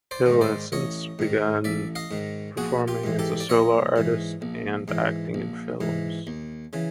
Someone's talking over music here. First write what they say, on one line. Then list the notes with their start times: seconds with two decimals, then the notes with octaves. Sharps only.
Hill has since begun performing as a solo artist and acting in films.
0.11 C5 D5
0.26 G#2 D#3
0.41 C5 D5
0.72 A1 C#5 D#5
1.19 G#2 D#3
1.64 A1 D5 E5
1.95 D#5 F5
2.11 G#2 D#3
2.57 A#1 F#4 G#4
2.88 F4 G4
3.04 G#2 E3
3.19 G4 A4
3.40 D5
3.49 A#1 C#5 D#5
3.96 G#2 E3
4.42 A#1
4.88 G#2 E3
5.34 A#1
5.81 G#2 E3
6.27 D#2
6.73 C#3 E3